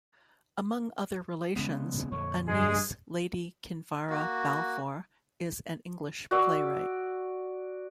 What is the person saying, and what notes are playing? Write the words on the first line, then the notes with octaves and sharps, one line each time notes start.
Among other relations, a niece Lady Kinvara Balfour is an English playwright.
C#3 G#3 B3
F2 A#2 D3 C#5
G2 G#3 G#4
A#3 F#4
F#4 D5 E6